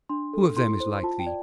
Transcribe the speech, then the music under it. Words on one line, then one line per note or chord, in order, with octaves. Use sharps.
Who of them is like thee?
D4 C6
A4
E4 C6
C5
F4 A5
G5
D5